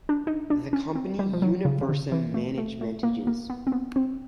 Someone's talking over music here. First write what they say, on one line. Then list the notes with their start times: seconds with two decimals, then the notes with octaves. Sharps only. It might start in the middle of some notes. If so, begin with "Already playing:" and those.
The company Universum Managementges.
0.09 D4
0.27 D#4
0.50 D4
0.73 C#4
0.96 C4
1.19 G3
1.33 F3
1.42 F#3
1.65 C#3
1.81 C#3
1.89 D3
2.12 E3
2.34 A3
2.58 A3
2.81 A3
3.03 A#3
3.27 A#3
3.50 B3
3.67 C4
3.72 B3
3.96 C4